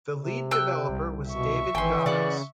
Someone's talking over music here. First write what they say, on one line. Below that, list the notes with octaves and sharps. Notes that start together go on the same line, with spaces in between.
The lead developer was David Dawes.
C3
G5 E6 F#6
C2
B2 E5 C#6
G#1 E3 G5 G#5 C6
C#3 D5 F#5